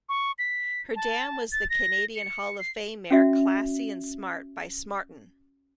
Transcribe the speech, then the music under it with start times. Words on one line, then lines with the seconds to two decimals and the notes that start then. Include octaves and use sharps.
Her dam was the Canadian Hall of Fame mare Classy 'n Smart by Smarten.
0.09 C#6
0.39 B6
0.96 A5
1.52 A6
1.70 A#6
2.16 C#7
2.59 C7
3.11 C#4 F#4 E5